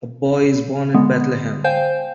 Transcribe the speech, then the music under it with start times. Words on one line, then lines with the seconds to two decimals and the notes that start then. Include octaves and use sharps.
A boy is born in Bethlehem.
0.94 D3 G#3 B3
1.64 C5 F5 G5 G#5 G6